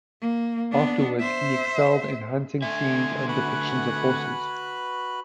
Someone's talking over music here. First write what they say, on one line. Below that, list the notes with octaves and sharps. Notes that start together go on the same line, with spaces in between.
Afterwards he excelled in hunting scenes and depictions of horses.
A#3
B3 D4
C5 E5
D3 A3 E5 G#5 C6
F#4 B4 F#5 G#5 B5